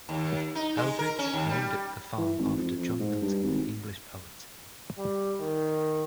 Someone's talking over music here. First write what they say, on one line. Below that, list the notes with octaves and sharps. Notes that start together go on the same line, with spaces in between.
Eldridge named the farm after John Milton, the English poet.
D#2
D#4
G#3
A#4
C#4
D#2
G3
E3
G#1
F2
F2
G#2
G2
G#1
G3
D#3